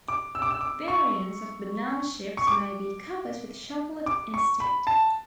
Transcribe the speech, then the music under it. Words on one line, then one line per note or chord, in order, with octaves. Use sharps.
Variants of banana chips may be covered with chocolate instead.
D6
E6
D6
E6
D6
C#6
C#6
D6
D6
C#6
B5
A5